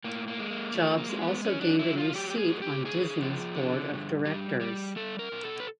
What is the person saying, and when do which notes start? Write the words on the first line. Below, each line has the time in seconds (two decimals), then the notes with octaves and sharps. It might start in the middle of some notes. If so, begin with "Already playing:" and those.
Jobs also gained a new seat on Disney's board of directors.
0.04 A2 A#3
0.28 A#3
0.39 G#3
0.50 A#3
0.74 F3 A3
0.98 A#3
1.09 G#3
1.21 B3
1.44 F#3 C#4
1.62 D4
1.79 F#3 E4
1.98 F4
2.14 F#3 G4
2.30 G4
2.38 G#4
2.49 A2
2.62 G4
2.85 D3 G#4
3.20 F3
3.56 D3
3.91 G2
4.25 G3
4.61 G3
4.96 G3 A4
5.19 A#4
5.32 B2
5.43 A4
5.60 B4